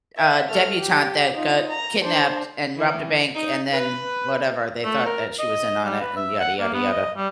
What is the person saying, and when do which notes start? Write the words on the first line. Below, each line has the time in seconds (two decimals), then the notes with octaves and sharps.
uh, debutante that got kidnapped, and robbed a bank, and then, whatever. They thought that she was in on it, and yada, yada, yada.
0.17 E5
0.49 A3 F6
0.79 G4
1.35 D#4 F4
1.69 A#5
2.03 D4 C5
2.77 E3
3.34 D#4
3.73 B4
4.85 A3
5.06 A#4
5.39 D#5
5.84 G3
6.01 B4
6.17 E5
6.40 F#5
6.60 A#3
6.74 B3
6.92 D#5
7.17 G3